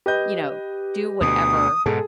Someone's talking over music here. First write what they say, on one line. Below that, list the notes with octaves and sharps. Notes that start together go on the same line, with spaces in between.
you know, do whatever
G4 B4 D#5 G6
D2 B2 D#6
G#2 B2 G#4 A4